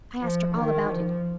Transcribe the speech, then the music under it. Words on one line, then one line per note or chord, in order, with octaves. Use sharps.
I asked her all about it.
F3
D#3
F3